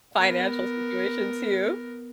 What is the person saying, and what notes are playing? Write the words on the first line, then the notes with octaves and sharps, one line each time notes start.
financial situation, too.
B3 A#4